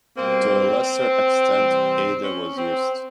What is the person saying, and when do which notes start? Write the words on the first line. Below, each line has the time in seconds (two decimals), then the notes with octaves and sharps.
To a lesser extent, Ada was used.
0.16 B2 G3 A#3 C4
1.54 C3 E3 G3
2.23 C#4
2.56 C4